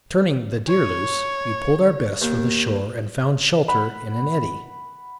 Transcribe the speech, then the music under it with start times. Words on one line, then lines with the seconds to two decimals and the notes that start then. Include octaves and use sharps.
Turning the deer loose, we pulled our best for the shore, and found shelter in an eddy.
0.68 C#5
2.22 D#2
3.68 F#5 B5